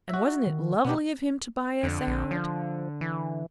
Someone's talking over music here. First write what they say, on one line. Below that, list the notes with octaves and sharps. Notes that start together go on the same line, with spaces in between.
And wasn't it lovely of him to buy us out?
F#4 E5
D#3
B2 B3 D4 G4
F2 D3
A#1
F3
E3